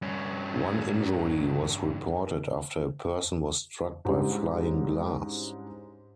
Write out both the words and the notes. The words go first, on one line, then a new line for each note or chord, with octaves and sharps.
One injury was reported after a person was struck by flying glass.
G2 C#4
G#2 G3 C#4 D4 E4 G4